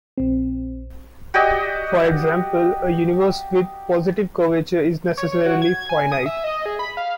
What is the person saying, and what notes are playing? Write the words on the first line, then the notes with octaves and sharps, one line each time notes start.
For example, a universe with positive curvature is necessarily finite.
A#1 C4
F#4 G4 D5 D#5
C#5
C#5
F#4
G#6
G#5
D#6
E5
D#5
G#4
B5
F5